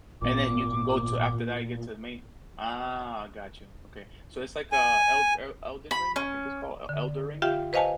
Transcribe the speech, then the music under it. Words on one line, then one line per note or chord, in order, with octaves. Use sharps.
And then you can go to after that you get to a main Ah, gotcha, okay. So, it's, like, uh, El El Elden Ring, I think it's called El Elden Ring?
G#1 A#2 B3 D6
G#5
B5
C#4
D3
F4 G4 E5 F5 G5
B4 C5 D#5 F5 G#5 A5